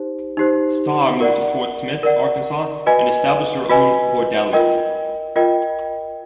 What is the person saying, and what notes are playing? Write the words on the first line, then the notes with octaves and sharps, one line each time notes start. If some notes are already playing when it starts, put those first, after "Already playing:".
Starr moved to Fort Smith, Arkansas and established her own bordello.
Already playing: D#4 G4 C5
D#4 G4 C5
A#4 D5 F#5
A#4 D5 F#5
F#4 B4 D#5 G#5
F#4 B4 D#5 G#5
F4 A#4 D#5 G5
F4 A#4 D#5 G5